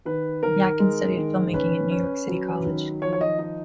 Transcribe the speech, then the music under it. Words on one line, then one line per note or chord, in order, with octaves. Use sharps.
Yakin studied filmmaking at New York's City College.
D#3 B4
D#3 A#4
G#3
D#3
C#4 B4
C#4
F#3
D#3
F3 C#5
C#5
D#5
D#4